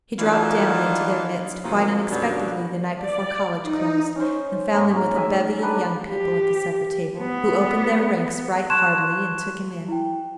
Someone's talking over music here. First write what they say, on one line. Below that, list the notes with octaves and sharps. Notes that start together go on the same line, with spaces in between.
He dropped down into their midst quite unexpectedly the night before college closed, and found them with a bevy of young people at the supper-table, who opened their ranks right heartily, and took him in.
E3 F#3 A#3 D4 D#4 F4
C3 D#3 F3 F#3 A3 A#3
F#2 B2 D3 F#3 G3 D4
D5
D#4
C#4 C5
G#2 A#3 C#4 A5
A#4
A2 E5 G#5
D#3 G3 D4 B4
G4
B3
A5 C6 C#6 F#6 G#6 E7
E4 G5